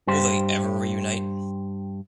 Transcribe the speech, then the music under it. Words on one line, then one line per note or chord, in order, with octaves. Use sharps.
Will they ever reunite?
G2 G4 C5